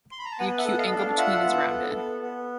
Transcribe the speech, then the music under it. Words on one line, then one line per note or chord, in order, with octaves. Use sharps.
The acute angle between is rounded.
C6
B5
A#5
A5
B3 F#5 G#5
E5 F#5
A4
D#5 F5
D4
F5 G5
F4 E5 F#5
B3
A4
B3
B3